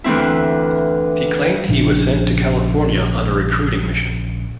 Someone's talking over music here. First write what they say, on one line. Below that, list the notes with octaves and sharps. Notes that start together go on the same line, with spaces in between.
He claimed he was sent to California on a recruiting mission.
D2 E3 C4 E4
A#1 C#3 D4